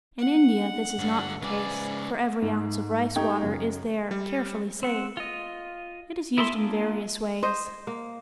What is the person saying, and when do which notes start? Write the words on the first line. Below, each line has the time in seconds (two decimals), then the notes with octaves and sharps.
In India this is not the case, for every ounce of rice water is there carefully saved. It is used in various ways.
0.19 F#5
0.99 G2 D3
1.41 C#2 G#4 B4 D5
2.42 G#2
3.16 A3 D#4 G4 G5 C#6 G#6
3.43 F#2 C#3
4.11 G3
4.83 C4 F#5
5.17 F4 D#5
6.38 E4 G#4 A4 E5 C6
6.53 A#3 D4 F4 G#4
7.43 C5 D#5
7.87 A#3